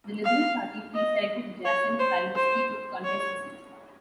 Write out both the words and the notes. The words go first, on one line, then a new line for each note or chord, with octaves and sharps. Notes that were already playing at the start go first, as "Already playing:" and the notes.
The Liberal Party preselected Jason Falinski to contest the seat.
F5
D#5
C#5
C5
C5
C#5